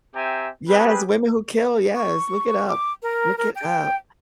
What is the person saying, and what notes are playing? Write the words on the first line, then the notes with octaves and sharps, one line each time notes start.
Yes, Women Who Kill, yes, look it up. Look it up.
C4 G4 E5 G5 G#5 A#5
G3 C4 G4 G#4 B4
C#6
D6
A#4
A#4
G5